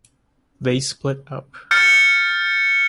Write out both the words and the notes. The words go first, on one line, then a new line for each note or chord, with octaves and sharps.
They split up.
F6 G6 A6 C#7